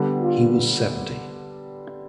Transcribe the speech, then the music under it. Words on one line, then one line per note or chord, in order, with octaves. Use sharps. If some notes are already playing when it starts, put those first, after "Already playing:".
He was seventy.
Already playing: D3 G3 B3
F4